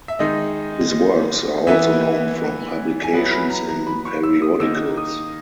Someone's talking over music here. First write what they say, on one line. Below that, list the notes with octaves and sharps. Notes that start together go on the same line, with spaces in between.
His works are also known from publications in periodicals.
E5
D#3 G#3 D#4 D#5
E3 B3 E4 E5
G#5
F#3 B3 E4 F#5
B5
A#5
A#5
B5
C#6
E6
D#6
D#3 A#3 D#4 E6
D#6